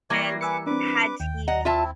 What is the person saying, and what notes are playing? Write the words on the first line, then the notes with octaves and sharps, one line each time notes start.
and had he
E3 G3 A#3 D5 C#6 G#6 A#6 C7
B4 G#5 D6 E6 C#7
C4 D4 B4 D6
D#2 G5
D#5 F#5 A#5
C4 E4 F4 E5 A5